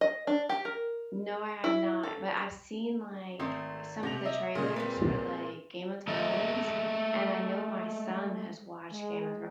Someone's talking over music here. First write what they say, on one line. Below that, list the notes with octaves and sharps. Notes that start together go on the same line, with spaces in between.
No, I have not. But, I've seen, like, some of the trailers for, like, "Game of Thrones," and I know my son has watched "Game of
D#5
D4
G4
A#4
E4
A4
G#1 G#3 A3 C4
C3 B3 A#6 F7
D#5 E5
A#2 C#3 G#3 G#4
G3 C4 B4
G#3 A3 A4 D#5 E5
G#3